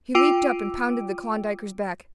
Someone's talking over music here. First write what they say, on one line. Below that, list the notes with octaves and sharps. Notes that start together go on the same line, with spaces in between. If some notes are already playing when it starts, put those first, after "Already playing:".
He leaped up and pounded the Klondiker's back.
F4 G5 D6 E6 D7 D#7